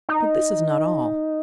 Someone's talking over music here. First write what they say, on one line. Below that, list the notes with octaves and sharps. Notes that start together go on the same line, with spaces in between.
But this is not all.
D#4